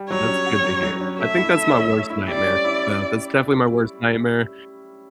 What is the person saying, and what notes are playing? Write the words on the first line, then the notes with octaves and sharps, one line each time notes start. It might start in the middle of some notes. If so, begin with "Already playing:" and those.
That's good to hear. I think that's my worst nightmare. Yeah, that's definitely my worst nightmare.
Already playing: G3
F#3 C#5
C#4
F#4
F#3
F#3
C#4
A3 E5
E4
A4
C#5
A3
E4
G3 D5
C#4
E4